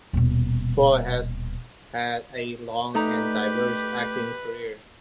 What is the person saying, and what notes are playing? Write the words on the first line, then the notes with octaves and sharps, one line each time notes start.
Ford has had a long and diverse acting career.
D#1 B2
A3 D#4 G4 B4 D5 A#5